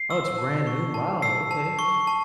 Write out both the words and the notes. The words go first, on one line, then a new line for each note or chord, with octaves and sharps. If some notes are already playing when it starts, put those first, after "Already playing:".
Oh, it's brand new, wow, okay.
Already playing: C7
E6
A5
C#6
A5
E6 C7
A5
C#6
A5